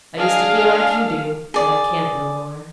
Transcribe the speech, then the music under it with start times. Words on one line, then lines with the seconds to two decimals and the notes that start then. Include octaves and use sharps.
I used to feel like you do, but I can't no more.
0.18 D4 G#4 D#5 F5
1.54 G#4 D5